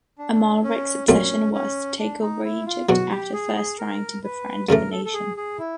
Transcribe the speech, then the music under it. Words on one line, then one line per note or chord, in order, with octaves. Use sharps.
Amalric's obsession was to take over Egypt, after first trying to befriend the nation.
D4
C#4
A#2 F#3 A3 C4 C#4
C#4
D4
D#4
E4
F4
E2 B2 F#3 F#4
G4
G#4
G#4
A#4
B4
F#2 C#3 E3 A3 A#4
A4
A4
G#4
G#4
E4